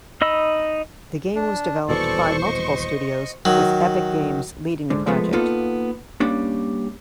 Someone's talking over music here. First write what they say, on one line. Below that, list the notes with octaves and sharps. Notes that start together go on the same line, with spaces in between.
The game was developed by multiple studios, with Epic Games leading the project.
D#4 D#5 B5 E6
D4
D#1 B2 E3 A4 C5 D5 C#6
D#5
D#3 F#3
G#2 D3
F3 G#3 A3 B3
A#3 B3 D#4 F4 A4
G3 A#3 C#4 D4